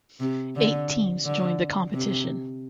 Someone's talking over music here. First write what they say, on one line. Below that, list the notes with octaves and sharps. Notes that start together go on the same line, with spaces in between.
Eight teams joined the competition.
C3
D3
D3
C3